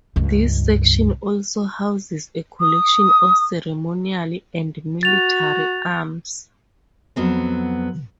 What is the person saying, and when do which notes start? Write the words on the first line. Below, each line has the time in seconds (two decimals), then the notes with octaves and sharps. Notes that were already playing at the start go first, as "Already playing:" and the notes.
This section also houses a collection of ceremonial and military arms.
0.16 C#2 G2
2.61 D#6
5.03 F#4 A6 F7
7.16 F2 F#3 B3 C4